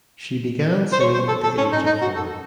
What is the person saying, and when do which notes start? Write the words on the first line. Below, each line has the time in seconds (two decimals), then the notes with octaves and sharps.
She began singing at the age of four.
0.93 C5
1.00 C#5
1.14 C5
1.28 A4
1.43 A4
1.58 C#4
1.73 D#4
1.86 D#4
2.02 F#4
2.16 A4